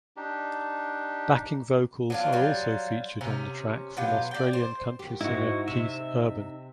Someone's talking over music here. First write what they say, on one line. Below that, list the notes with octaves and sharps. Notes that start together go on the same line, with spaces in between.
Backing vocals are also featured on the track from Australian country singer Keith Urban.
D4 D#4 G4
F#3 D4 F4
F#3 G3 F4
C3 C#4 A#5
B2 F#3 F4 G4
D5 G5
C5
D#2 G4
G#2 D#4 E4 F#4
C3 E5